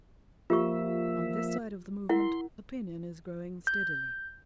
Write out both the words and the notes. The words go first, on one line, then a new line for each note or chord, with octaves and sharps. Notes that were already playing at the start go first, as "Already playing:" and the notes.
On this side of the movement opinion is growing steadily.
F3 A#3 F4 G4 E5 C#6
E4 A#4 F#5 C6
G6